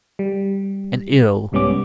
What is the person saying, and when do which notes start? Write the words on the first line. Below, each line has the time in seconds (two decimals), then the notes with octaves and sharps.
And ill....
0.19 G3
1.52 C2 G#2 G3 B3 C#4 D6